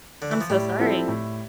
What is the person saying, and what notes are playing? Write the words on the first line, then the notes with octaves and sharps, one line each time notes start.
I'm so sorry.
D3
E3
F3
A2 G3
F3 C4 E4 A4
A2